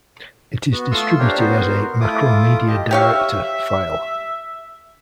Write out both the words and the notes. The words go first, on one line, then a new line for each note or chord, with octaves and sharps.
It is distributed as a Macromedia Director file.
B3 F#4
A3 F4 C6 C#6 D#6 E6
D4 G4 A#4 C5 C#5
B3 F#4 A#4 C5
A3 E4 F4 D6 D#6
G4 D#5
G4 C#5 E5 F5